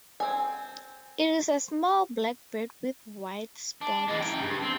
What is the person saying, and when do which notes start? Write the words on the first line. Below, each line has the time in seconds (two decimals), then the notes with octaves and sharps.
It is a small black bird with white spots.
0.20 C4 G#5
3.81 D4
4.08 E3 G#3
4.20 C#3 G5
4.41 G2
4.62 C4